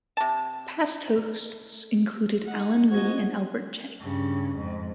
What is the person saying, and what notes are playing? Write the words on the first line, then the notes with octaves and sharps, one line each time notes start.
Past hosts included Allen Lee and Albert Cheng.
C3 A5
D#4 F#5
G#2 C4 F4 F#4 D#5 G#6
G2 C#3
F2 G#2